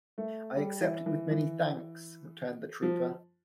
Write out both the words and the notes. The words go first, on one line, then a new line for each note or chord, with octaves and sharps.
"I accept it with many thanks," returned the trooper.
A3
G3
E3
E3
E3
F3